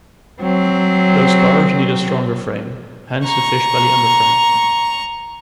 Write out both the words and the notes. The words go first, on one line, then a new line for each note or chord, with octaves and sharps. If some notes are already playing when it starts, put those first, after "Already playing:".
Those cars need a stronger frame, hence the fishbelly underframe.
F#3 C4
A#5 C#6